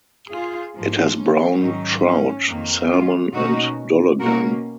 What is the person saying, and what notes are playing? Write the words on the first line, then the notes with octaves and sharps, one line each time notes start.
It has brown trout, salmon and dollaghan.
F4 G#4
G#2 F3 A#3
C#4
G#2 D#3 F#3 C#4 D#4
C#4
F2 D#3 A#3
C#4 F4
B2 A#3 C#4 D#4 F#4
B2 A#3 C#4 F#4 A#4